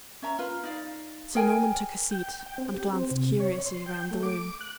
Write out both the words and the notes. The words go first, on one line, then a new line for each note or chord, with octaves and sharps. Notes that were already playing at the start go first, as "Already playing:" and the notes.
Sir Norman took a seat, and glanced curiously round the room.
C#4 E5 A#5
F4 B4
D#4 D5 F5
G#4 A#4 G5 G#5
G5
G5
C4
G4
C4
C3
C#5
C6
G5
A3
D6
F#6